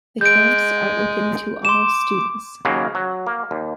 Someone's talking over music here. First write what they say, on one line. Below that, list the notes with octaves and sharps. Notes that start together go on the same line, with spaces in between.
The camps are open to all students.
G#3 G6 D7
C6 D6 E7
D#2 C#3 F#3 A#3
F#3
A#3
D#2